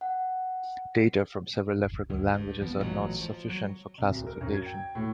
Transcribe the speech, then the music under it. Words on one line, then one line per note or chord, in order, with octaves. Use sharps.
Data for several African languages are not sufficient for classification.
F#5
D2
G2
F3 B3
A1 A#2 C#3 F#3
F3
F#3
C2
D1
A#4
F#2
G#6
G5
A2